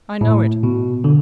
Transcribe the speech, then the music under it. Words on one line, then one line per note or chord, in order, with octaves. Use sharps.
'I know it!
A2
B2
D3